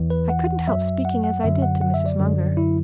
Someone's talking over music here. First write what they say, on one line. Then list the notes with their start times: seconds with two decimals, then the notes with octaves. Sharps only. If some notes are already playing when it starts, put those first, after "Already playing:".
"I couldn't help speaking as I did to Mrs. Munger."
Already playing: E2 E3
0.10 B4
0.29 F#5
0.68 F#2 F#3 E5
1.05 F#5
1.24 F#5
1.44 F#2 D3 F#3 E5
1.62 F#5
1.81 F#5
1.94 E5
2.06 D5
2.19 F#2 D3 F#3
2.57 E4